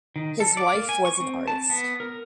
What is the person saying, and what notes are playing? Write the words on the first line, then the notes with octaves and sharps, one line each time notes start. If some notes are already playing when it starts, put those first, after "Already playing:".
His wife was an artist.
D#3
A4
D5
A#3
G#5
C#6
C4
A5
B3
A#4